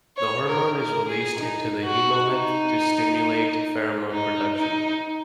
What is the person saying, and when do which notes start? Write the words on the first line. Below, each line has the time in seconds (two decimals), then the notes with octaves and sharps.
The hormone is released into the hemolymph to stimulate pheromone production.
0.17 C#5
0.48 A#4
0.78 A#4
1.08 G#4
1.39 D#4
1.84 F#4
2.29 D#4
4.12 D#4
4.58 D#4